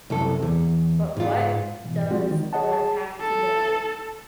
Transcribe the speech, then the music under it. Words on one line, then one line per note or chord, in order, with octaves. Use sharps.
But what does one have to know?
C2 F#2 A4
E2
G#2 F4
G#2 B2 E3
F3 G#3 C4 F4 F#4
D#3
G#4 C#5 D#5 F#5 A5
G#4 A5
A4